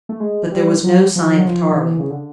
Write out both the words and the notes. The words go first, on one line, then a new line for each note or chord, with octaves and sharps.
But there was no sign of Tarling.
A3
G#3
G3
F#3
F3
F#3
F3
D#3
E3
C#3
D3